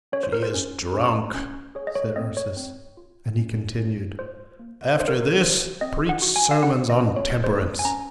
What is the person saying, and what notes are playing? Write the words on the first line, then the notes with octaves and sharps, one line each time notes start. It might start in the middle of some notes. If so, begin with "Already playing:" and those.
"She is drunk," said Ursus; and he continued, "After this, preach sermons on temperance!"
C#4 C#5
C5
A#4
C5
C#4
C#4
C#4
G#4 C#5
D#5
C#5
C4 D#5
C#5
C4
F4
C#4
C#4
F4 C5
A#3
C4 C5
A#4
A#4
F#4 C5
C4 D#5
F#5
F#4
G#5
F5
C#4 F#5
D#5
C#4
C#5
G#4 C5
G#5
C#4 A#5